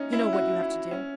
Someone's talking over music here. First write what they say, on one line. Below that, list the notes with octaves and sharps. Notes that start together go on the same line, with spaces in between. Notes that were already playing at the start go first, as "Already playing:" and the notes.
You know what you have to do.
Already playing: C#4 D#4
E4
F#4
E4
C#4